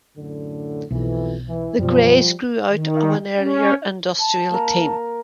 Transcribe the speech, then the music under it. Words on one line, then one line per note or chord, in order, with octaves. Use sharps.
The Grays grew out of an earlier industrial team.
F#2 A2 D3
B1 F2 E3
E3
F#2 B2 F3 G3
D#3
C#4
A5
A#3 A#4